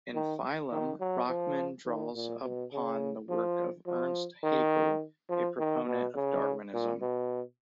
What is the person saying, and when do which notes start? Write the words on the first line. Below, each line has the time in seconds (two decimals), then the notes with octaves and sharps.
In "Phylum", Rockman draws upon the work of Ernst Haeckel, a proponent of Darwinism.
0.15 D#3
0.72 D#3
1.00 F#3
1.29 F3
1.86 D#3
2.15 A#2
2.44 B2
2.72 C#3
3.29 F3
3.86 F3
4.44 D#3
5.30 F3
5.59 D#3
5.87 B2
6.15 C#3
6.73 A#2
7.02 B2